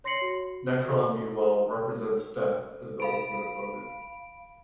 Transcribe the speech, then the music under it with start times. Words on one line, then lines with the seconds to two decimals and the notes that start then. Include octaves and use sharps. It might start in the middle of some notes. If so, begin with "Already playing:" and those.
Nekron, meanwhile, represents Death as the Ultimate Opponent.
0.04 C#5 C6 A#6 C7 C#7 F#7
0.22 F#4
3.00 F5 B5 D7